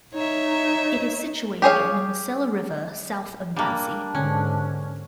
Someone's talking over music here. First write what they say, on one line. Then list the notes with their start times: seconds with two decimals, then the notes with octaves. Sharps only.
It is situated on the Moselle River, south of Nancy.
0.14 D#4 C#5 E5
1.62 G4 G#4 C#5 F5
3.56 G3 A#3 D4
4.15 G#2 D3 C#4